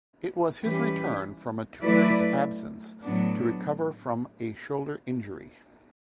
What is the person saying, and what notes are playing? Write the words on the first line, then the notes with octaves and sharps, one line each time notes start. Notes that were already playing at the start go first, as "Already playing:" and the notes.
It was his return from a two-race absence to recover from a shoulder injury.
E3 G3 C#4 G4 B4
F#3 A3 E4 B4 D5
A2 F#3 B3 D4